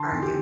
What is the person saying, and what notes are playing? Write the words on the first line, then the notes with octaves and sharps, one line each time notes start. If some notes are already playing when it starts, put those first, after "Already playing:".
Are you?
Already playing: D3 A5 C6
E2
G4